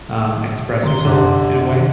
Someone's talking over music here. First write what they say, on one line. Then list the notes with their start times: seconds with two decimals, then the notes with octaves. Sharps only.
um, express yourself in a way.
0.83 D3 A#5 C6 G7
1.05 F#2 D3 G4 D6